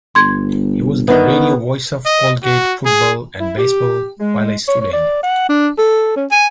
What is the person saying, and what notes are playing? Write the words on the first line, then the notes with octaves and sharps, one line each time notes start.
He was the radio voice of Colgate football and baseball while a student.
G1 C6 G#6
D3 D#3 B3
D#5
F#4
G#4
E4
G4
G#3
C#5
C#5
D5
F#5
D4
A4
C#4
G#5